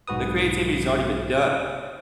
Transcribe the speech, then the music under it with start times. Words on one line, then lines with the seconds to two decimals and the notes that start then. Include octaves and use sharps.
The creativity's already been done.
0.08 B1 G#2 F#4 B4 D#6